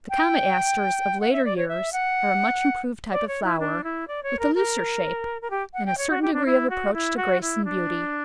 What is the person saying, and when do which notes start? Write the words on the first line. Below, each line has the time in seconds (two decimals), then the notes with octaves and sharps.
The Comet Asters of later years are a much-improved type of flower, with a looser shape and a certain degree of approach to grace and beauty.
0.10 G5
1.21 F#5
1.33 E5
1.45 D5
1.57 C#5
1.68 E5
1.93 F#5
3.11 D5
3.28 C#5
3.43 E4
3.60 D4
3.84 E4
4.08 D5
4.23 C#5
4.39 A#4
4.55 A#4
5.42 A#4
5.50 G4
5.74 F#5
5.86 G5
5.98 C#5
6.10 F#4
6.22 G4
6.33 D4
6.46 E4
6.70 F#4
6.93 E4
7.17 F#4
7.41 E4
7.65 D4